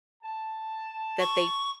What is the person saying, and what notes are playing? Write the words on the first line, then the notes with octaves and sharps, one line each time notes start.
that they
A5
C#6